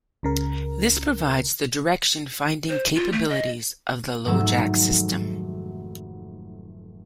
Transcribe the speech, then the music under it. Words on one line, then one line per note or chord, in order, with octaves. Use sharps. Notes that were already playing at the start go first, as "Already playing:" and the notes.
This provides the direction finding capabilities of the LoJack system.
C#2 C#3 A#4
C5
F4
A3
D#5
F1 G#2 D#3 F#3 A3 E6